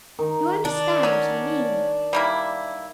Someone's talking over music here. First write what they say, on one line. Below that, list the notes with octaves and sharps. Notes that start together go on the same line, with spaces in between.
You understand what I mean.
D#3
D4
F#3 C#4
G3 A#3 E4